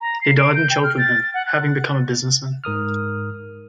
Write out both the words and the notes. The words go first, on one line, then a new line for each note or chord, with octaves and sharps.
He died in Cheltenham, having become a businessman.
A#5
C7
D7
G6
G5
F6
A6
A6
F#5
F#6
G#2 A#4 D#6 F6